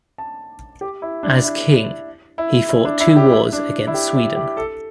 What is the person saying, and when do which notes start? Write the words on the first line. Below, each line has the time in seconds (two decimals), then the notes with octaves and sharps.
As king, he fought two wars against Sweden.
0.18 A5
0.81 G4
1.02 E4
1.23 D4
1.44 E4
2.38 E4
2.69 E4
2.85 D4
3.00 E4
3.16 G4
3.32 E4
3.53 D4
3.87 E4
3.94 G4
4.15 E4
4.36 G4
4.57 A4